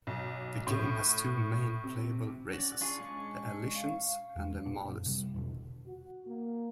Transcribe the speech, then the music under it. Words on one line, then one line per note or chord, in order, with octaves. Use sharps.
The game has two main playable races: the Alyssians and the Malus.
B1
A2
C3
C#4 F#4 D5
D4 F4 G#4 C#6
G#3 C#4 D4
F5
E2 G#3
A#2 B3 D4
F#1
C3 G3
E2 B2 D3
F#4
A#3